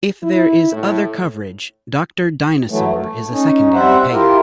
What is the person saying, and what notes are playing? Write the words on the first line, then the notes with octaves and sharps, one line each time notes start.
If there is other coverage, Doctor Dynasaur is a secondary payer.
E4
A2
E3 F#3 A3
A3
C#4 D#4
G3 C4 C5 E5 F#5
E4 F4 G4 A#4